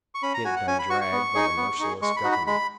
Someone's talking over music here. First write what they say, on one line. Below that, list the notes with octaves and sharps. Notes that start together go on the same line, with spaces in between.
He had been dragged by the merciless government.
C#6
C#4 B5
A#5
F#4 G#5
F#5
C#4 G#5
B5
F#4 C#6
C#6
B3
D#4 G#4
B3
D#4 G#4
G#3 C#6
B5
D#4 F#4
B5
G#3 B5